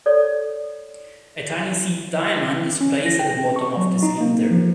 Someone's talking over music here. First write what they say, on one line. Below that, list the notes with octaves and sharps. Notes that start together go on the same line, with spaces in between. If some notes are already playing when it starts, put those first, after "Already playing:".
A tiny seed diamond is placed at the bottom of the cylinder.
A4 C#5 D5
C#4
A#6
G5
C4
C#6
F#3
D#4
A#3
F3